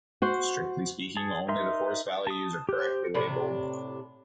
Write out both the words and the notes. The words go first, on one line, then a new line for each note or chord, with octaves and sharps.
Strictly speaking, only the force values are correctly labeled.
F#4 C5
G#4 A5
D#4 A#4 E5 C6
A5 D#6
G4 C5
A2 C3 D4